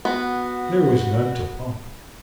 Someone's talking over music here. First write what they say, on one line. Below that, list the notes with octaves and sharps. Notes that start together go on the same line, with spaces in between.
There was none to pump.
B3 F#4